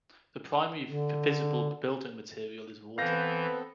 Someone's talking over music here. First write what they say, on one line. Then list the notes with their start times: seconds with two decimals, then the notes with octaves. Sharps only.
The primary visible building material is water.
0.89 D3
2.98 E3 B3 C4 A4 B4 F5 G6 A#6